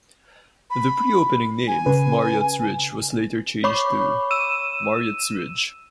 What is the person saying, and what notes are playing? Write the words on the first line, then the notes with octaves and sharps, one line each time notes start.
The pre-opening name of Marriott's Ridge was later changed to Marriotts Ridge.
B5
G#5
C#3 B4
C#5 B5 C#6 D6
E6 D#7 E7